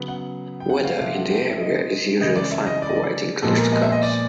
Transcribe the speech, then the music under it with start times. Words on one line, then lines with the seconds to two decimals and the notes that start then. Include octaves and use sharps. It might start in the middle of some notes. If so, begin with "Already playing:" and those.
Weather in the area is usually fine providing clear skies.
Already playing: C#3 F#3 B3
0.08 F#5
0.60 G5
0.69 F#5
0.85 F5
0.99 C3 F3 A3 F5
1.15 F#5
1.29 G5
1.50 E5
1.60 D#5
2.21 C#3 E3 G#3 D#5
2.36 D5
2.51 E5
2.66 D#5
2.82 D5
2.89 D#5
2.95 D5
3.42 A#2 F3 G#3 B3 A4
3.58 A#4
3.72 D#5
3.82 E5
3.92 D#5
4.02 D5